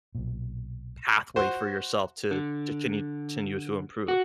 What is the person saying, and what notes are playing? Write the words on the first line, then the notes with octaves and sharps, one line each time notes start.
pathway for yourself to to continue- continue to improve.
B1 A#2
F#4 C5
D3
F#4